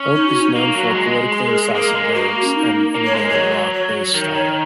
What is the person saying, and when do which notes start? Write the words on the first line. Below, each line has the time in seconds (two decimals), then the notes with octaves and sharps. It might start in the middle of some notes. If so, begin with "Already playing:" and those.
Hope is known for politically incisive lyrics and an innovative rock-based style.
Already playing: C#4
0.15 D#4
0.28 F#4
0.41 D#4
0.55 A#3 F#4
0.75 F#3
0.95 G#3
1.35 G#4
1.45 A#4
1.55 G#4
1.75 A#3 A#4
1.95 G#3
2.15 A#3 F#4
2.44 C#4
2.55 D#4
2.95 A#3
3.06 C#5
3.14 G#3 A#4
3.30 F#3 C#5
3.74 C#5
4.14 D#3 A#4
4.34 C#5